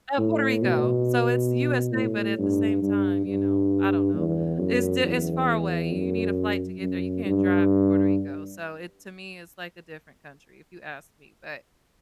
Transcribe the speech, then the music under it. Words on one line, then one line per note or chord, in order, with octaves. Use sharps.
Uh, Puerto Rico. So it's USA but at the same time, you know, I don't know. Is thi it's far away. You need a flight to get there. You can't drive to Puerto Rico. So, it to me, is like a different country, if you ask me. But,
A2
B2
A2
G2
G2
G2
E2
F#2
E2
F#2
F#2
G2